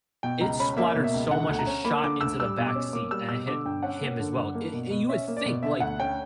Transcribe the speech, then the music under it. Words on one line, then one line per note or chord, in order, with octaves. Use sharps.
it splattered so much and shot into the backseat, and it hit him as well, a and you would think, like,
B2 G5
C#2 A#5
C#4 B5
A#3 E5
B2
E5
C#2
D3 F#5
D2
A#5
C#4
A#3 B5
D3 D6
D2 E6
G3 E6
B2
D6
C#4
A#3 D6
G3 E6
B2 E6
D3 D6
G2 G5
C#4 F#5
A#3
D3
G2
A#3
B2
B2
C#4 E5
A#3
D5
B2
D3 E5
D2 F#5
C#4 G5